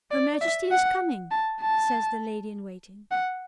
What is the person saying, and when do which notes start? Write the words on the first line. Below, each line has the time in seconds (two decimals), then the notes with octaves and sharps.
"Her Majesty is coming," says the lady-in-waiting.
0.11 D5
0.41 E5
0.71 F#5
1.31 A5
1.61 A5
3.11 F#5